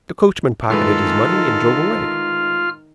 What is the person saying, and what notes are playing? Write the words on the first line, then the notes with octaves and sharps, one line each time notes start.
The coachman pocketed his money and drove away.
A2 D#3 G#3 F4 A4 B4 F6